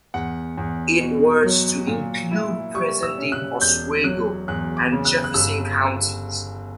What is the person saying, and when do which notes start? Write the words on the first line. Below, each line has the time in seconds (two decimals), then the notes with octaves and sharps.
It was to include present day Oswego and Jefferson Counties.
0.14 E2 F#5
0.57 E2
1.01 B2
1.44 F#3
1.87 A#2
2.31 E4
2.74 G3 C#6
3.03 E6
3.18 C#4
3.32 F#6
3.61 E1 G6
4.04 F#3 F#6
4.48 E2 F#6
4.77 D6
4.91 C#3
5.05 F#6
5.24 F#6
5.34 G1 E6